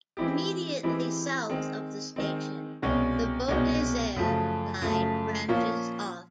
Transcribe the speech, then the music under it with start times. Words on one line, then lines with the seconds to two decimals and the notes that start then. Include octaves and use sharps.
Immediately south of the station, the Beaudesert line branches off.
0.17 E3 G#3 C4 E4 G4
0.83 E3 G#3 C4 E4 G4
1.50 D#3 G#3 C4
2.16 D#3 G#3 C4
2.82 C2 B2 G#3 C#4 F#4
3.49 C2 B2 G#3 C#4 F#4
4.16 F#2 C#3 F3 A3
4.81 F#2 C#3 F3 A3
5.48 A#2 F3 A#3 C#4 F4